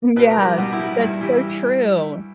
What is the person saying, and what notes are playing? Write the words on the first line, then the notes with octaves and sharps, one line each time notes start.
Yeah, that's so true.
B2 B4
A#4
G3
G4
B2 F#4
E4
G3
G2 E4
E3 G3